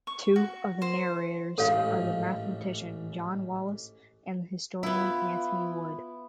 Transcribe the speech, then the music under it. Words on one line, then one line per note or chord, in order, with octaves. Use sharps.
Two of the narrators are the mathematician John Wallis and the historian Anthony Wood.
C#6
F#4
C5
A1 G#2 A4 C#5 F5
B3 E4 F4